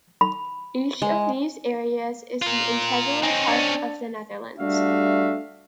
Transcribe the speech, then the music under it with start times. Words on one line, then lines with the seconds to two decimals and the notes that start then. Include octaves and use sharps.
Each of these areas is an integral part of the Netherlands.
0.21 B5
1.02 G#3
2.42 F4 A#4
3.23 C4 C#4 D#5 G#5
3.48 D4 D5
4.59 G3 A3 D4 F#4 E5 F5